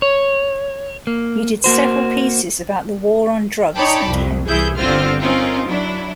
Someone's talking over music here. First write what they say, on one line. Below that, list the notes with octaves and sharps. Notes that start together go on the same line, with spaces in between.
He did several pieces about the war on drugs and hemp.
C#5
A#3
A#3 F#4 C5
D#4 C#5 D5 G5 A5 B5
C2 F2
C2 E3 E4 G#4 G6
G1 D3 C4 F4 C5 F6
C4 C#4 D#4 F4 A#4
F#3 D4 E4